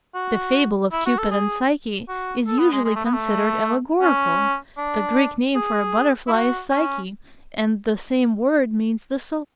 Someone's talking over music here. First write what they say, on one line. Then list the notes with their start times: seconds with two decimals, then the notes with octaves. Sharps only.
The fable of Cupid and Psyche is usually considered allegorical. The Greek name for a butterfly is Psyche, and the same word means the soul.
0.15 F#4
0.92 E4
1.06 F#4
1.18 A4
1.31 G#4
2.08 F#4
2.47 A4
2.59 B3
2.72 G#3
2.85 G#3
2.95 A3
3.05 B3
3.14 A3
4.01 C#4
4.77 D4
5.55 G#4
6.27 E4
6.33 F#4
6.71 C#4